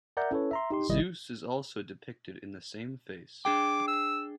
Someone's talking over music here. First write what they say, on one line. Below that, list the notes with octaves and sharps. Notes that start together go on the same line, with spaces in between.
Zeus is also depicted in the same face.
A#4 D5 E5 F#5 A#5 G6
C#4 E4 A4 B4 C#5
E5 A#5 C6
D#4 G4 C6
G#1 C3 D#3 G3 E4 D#5
D4 G#4 G5 D6
E6